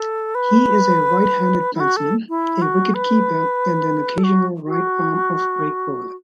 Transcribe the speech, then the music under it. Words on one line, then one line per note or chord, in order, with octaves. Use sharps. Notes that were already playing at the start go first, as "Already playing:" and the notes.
He is a right-handed batsman, a wicketkeeper and an occasional right-arm offbreak bowler.
Already playing: A4
B4
E4
F#4
A4
E4
F#4
B4
A4
F#4
F#4